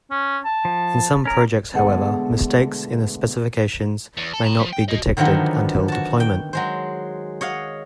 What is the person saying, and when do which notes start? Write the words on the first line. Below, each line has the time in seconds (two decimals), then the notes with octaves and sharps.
In some projects however, mistakes in the specifications may not be detected until deployment.
0.11 C#4
0.45 A5
0.65 F3
1.25 C#4 A#4
1.74 B2 D3 G#3 A3 G#4 F#5
4.17 E2
4.34 A4
4.45 G5 A#5
4.59 F3
4.73 G5
4.88 F#4 D#5
5.17 D3 D#3 F3 F#3 B3
5.88 F#4 A5
6.20 G5
6.53 F#3 G#3 C5
7.41 C#5 D#5 F5 F#5